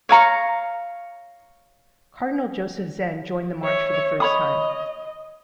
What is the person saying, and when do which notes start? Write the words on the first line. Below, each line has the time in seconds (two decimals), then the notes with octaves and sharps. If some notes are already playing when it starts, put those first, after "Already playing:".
Cardinal Joseph Zen joined the march for the first time.
0.09 C#5 F5 A#5 C#6
3.63 C#5 E5
4.20 C#5 D#5 B5 D#6